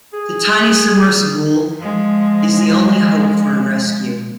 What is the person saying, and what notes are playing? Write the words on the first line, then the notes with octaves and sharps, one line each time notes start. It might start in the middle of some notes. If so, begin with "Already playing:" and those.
The tiny submersible is the only hope for a rescue.
G#4
F3 G#3